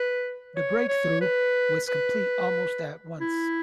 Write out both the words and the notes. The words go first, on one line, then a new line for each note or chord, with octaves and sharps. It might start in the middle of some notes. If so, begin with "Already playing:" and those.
The break through was complete almost at once.
Already playing: B4
C#5
C#5
B4
B4
E4